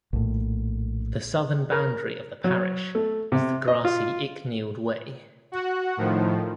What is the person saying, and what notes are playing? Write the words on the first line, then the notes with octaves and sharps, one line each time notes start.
The southern boundary of the parish is the grassy Icknield Way.
A#1 A2
A#4
F#3
A3
C3
D#5
F4
F#4 F#5
A2 D#3 F3